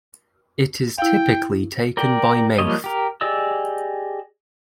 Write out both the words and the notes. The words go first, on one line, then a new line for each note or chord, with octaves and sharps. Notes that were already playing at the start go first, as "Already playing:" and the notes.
It is typically taken by mouth.
E4 F5 G5
A#4 D5 G5
F3 G3 A#3 C#5 D#5
G4 A#4
G4 G#4 D5 D#5 E6